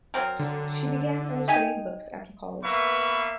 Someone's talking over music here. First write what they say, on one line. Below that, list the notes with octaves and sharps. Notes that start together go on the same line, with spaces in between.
She began illustrating books after college.
F#3 C4 A#4
D3
D#4 G4 G#5
A#3 B3 B4 E5 C#6